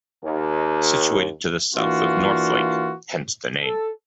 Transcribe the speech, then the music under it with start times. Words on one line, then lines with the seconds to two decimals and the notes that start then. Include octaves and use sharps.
Situated to the south of North Lake, hence the name.
0.23 D#2
1.74 E3 A#3 D4 F4 F#4
3.62 A4